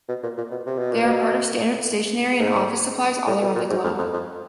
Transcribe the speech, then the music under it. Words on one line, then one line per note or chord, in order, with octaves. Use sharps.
They are part of standard stationery and office supplies all around the globe.
B2
A#2
A#2
B2
C3
B2
A#2
B2
G#2
A2
B2
A#2
G#2
F2
F2
F2